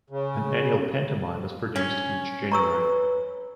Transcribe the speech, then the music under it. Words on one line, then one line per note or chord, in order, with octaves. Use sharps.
An annual pantomime is produced each January.
C#3
C#4
B4 A#5 C#6 E6